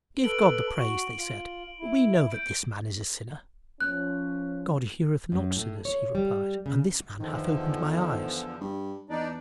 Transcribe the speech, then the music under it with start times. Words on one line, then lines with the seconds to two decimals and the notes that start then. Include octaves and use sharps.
"Give God the praise," they said; "we know that this man is a sinner." "God heareth not sinners," he replied; "and this man hath opened my eyes."
0.24 A4 B4 D7 F#7 G7
0.76 F#4
1.18 F4
1.79 E4
2.32 G6 D7
3.80 F3 C#4 F#6
5.32 F#2
5.56 A2
5.85 C#5
6.15 G3
6.66 C#3
7.20 E2 D3 D#3 F3
8.61 G2
9.10 E2 D4 D#4 D5